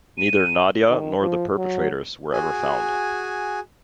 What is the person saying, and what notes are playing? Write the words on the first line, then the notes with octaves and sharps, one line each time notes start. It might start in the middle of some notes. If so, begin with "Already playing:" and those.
Neither Nadia nor the perpetrators were ever found.
D#7
D#3
F3
F#3
F#4 G#4 G#5